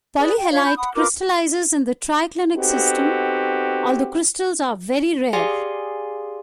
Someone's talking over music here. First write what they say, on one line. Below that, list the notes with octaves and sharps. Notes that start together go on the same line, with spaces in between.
Polyhalite crystallizes in the triclinic system, although crystals are very rare.
G#4 B4 D5
G5
D4 F4 C#5 F5
B5 G6
F#5 B5 D#6
F4 A#4 B4 D6
B3 C4 D#4 F#4 G4 A4
G4 G#4 D5 F5 G#5 C6